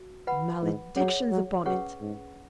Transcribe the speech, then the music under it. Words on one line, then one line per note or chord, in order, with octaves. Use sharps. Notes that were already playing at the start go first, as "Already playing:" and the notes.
Maledictions upon it!
Already playing: F#4
B4 F#5 B5
G#2
F#3 G#4 C#5 F#5
F#3
F#3 C#4 G#4 B4 F#5 C#6
G#2